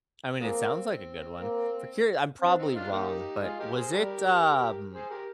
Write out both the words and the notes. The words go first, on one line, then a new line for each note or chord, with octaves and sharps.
I mean, it sounds like a good one. For curi I'm probably wrong, but was it, um,
F3 G#3 A#3 C4
A#3
C4 D4
C4 D#4
D4 F4
A#3 D#4 G4
G#3 F4 G#4
G4 A#4
G#4 C5
G3 G4 A#4
G#4 C5
G4 A#4